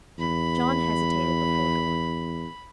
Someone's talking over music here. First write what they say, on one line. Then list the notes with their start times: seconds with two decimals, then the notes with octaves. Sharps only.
John hesitated before going.
0.19 E2 B5